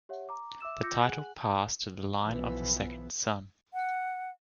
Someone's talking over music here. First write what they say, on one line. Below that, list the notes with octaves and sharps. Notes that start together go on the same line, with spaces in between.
The title passed to the line of the second son.
G4 C#5 E5 F#5
A#5 D6
E5 D6 E6 E7
F4 D6 E6 G6 A#6 C#7
G#4 F#5 G#5 F#6 F#7
B1 E3 F3 B3
F#5